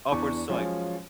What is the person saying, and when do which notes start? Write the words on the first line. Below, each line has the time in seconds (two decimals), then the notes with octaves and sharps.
upwards to, like,
0.12 E2 D4 C#6
0.50 F3 F#3 G#3 C#4